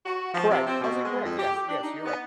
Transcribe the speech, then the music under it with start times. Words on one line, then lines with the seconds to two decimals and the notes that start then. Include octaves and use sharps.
Correct. I would say correct. Yes. Yes. You're right.
0.05 F#4
0.32 F3
0.50 C3
0.66 C4
0.81 B2
1.03 G#3
1.24 F2
1.38 G4
1.55 G4
1.69 D4
1.82 D#4
2.05 B3